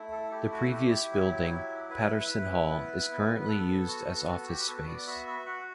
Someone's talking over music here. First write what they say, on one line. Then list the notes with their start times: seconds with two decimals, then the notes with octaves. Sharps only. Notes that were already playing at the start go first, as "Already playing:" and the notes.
The previous building, Patterson Hall, is currently used as office space.
Already playing: A3 E4
0.12 A4
0.31 E4 G4
0.52 F#4
0.71 E4 G4
0.91 G4
1.11 F#3
1.50 E4
1.90 E4 B4
2.30 E4
2.69 B3
3.09 B3
3.41 B4
3.48 B3 A4
3.88 F#4
4.27 F#4 A4
4.48 G4
4.60 B4
4.67 B3 A4
4.87 D5
5.07 F#4 E5
5.27 E5
5.46 F#4 F#5